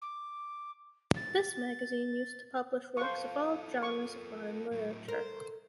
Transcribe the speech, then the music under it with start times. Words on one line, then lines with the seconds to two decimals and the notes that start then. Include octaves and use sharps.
This magazine used to publish works of all genres of modern literature.
0.01 D6
1.16 A6
2.97 F4 A4 C5 F5 C#6
3.83 A#4 C#6
4.72 A2 F#3
5.08 A4 A#4 C5